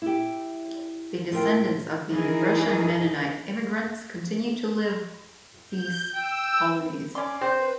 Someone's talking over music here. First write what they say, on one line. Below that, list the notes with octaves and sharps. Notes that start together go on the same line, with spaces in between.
The descendants of the Russian Mennonite immigrants continue to live these colonies.
E4 G4
A2 F4 A#4 G5
E3 D#4 G#4 A#4
G6
G5 E6
C#4 D5 C6 D6
C4 C5 G6
B4